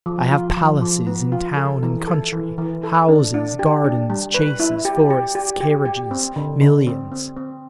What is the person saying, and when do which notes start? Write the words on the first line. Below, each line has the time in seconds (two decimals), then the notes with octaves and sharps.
I have palaces in town and country: houses, gardens, chases, forests, carriages, millions.
0.06 F3
0.31 F4
0.57 F3
0.82 F3
1.07 B3
1.32 F4
1.57 A4
1.83 E3
2.08 A4
2.33 E3
2.58 E3
2.83 A4
3.09 D4
3.34 D4
3.59 G4
3.84 D4
4.10 G3
4.34 B4
4.60 E4
4.85 G4
5.10 G4
5.35 G4
5.61 G4
5.86 G4
6.11 C4
6.36 D3
6.61 D3
6.87 C4
7.12 C4
7.37 C4